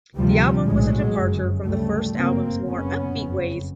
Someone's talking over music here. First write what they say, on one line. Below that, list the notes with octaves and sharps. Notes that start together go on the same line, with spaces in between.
The album was a departure from the first album's more upbeat ways.
D2 C3 F3 G3
B1 A2 F#3 G#3
G1 F#2 C#3
D2 C#3 G3 A3
G1 F#2 C#3 A#3 C4
F#1 F#2 C#3 B3 C#4
F#1 F2 C#3